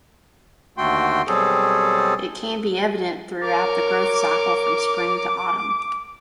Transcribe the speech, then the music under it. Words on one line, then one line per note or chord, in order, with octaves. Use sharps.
It can be evident throughout the growth cycle from spring to autumn.
D#2 D3 A3 F#4 G5 C6
B2 F#3 G3 C4 G#4 A4
A#4 C#5 D6